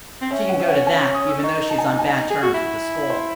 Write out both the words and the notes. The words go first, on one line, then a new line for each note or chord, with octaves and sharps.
"She can go to that, even though she is on bad terms with the school."
C4
C#4 E5
F#5
E5
F#5
G#5
C#6
D#6
E6
D#4 C#6
A5
G#5
A5
G#5
G#4
F#4
E4
C5